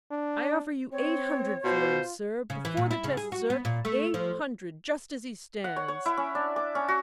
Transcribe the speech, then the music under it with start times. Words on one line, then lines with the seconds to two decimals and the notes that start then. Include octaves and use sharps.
"I offer you eight hundred for him, sir, before the test, sir; eight hundred just as he stands."
0.11 D4
0.92 C4 C#5
1.64 B2 F4 C5
2.50 C#3
2.65 E3
2.77 A#2
2.91 E4
3.04 C#3
3.17 G#4
3.32 F#4
3.50 B3
3.65 A#2
3.85 A3
4.14 F3
5.64 F#5
5.76 C#5
5.88 C#5
6.06 E4
6.17 C#4
6.35 D4
6.56 D6
6.75 C#4
6.88 F#4